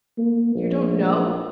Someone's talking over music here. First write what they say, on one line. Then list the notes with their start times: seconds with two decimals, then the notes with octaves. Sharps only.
You don't know!
0.18 A#3
0.55 A#1